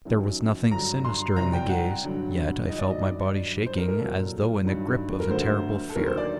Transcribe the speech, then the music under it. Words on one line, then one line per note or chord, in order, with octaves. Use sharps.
There was nothing sinister in the gaze, yet I felt my body shaking as though in the grip of a terrible fear.
F#2 D#3 F#3
G2 D3 F#3 A#5
C6
C2 C3 F#3 A#5
G5
F#5
G2 D3 F#3
G2 D#3 F#3 D#5
D5
D#5
D5
G2 F#3
C5
A#4
A#4
C2 A#2 F#3 A4
G2 D#3 F#3
A#4
D2 D3 F#3 C5
A4
D#2 D3 F#3 A#4
C5
D5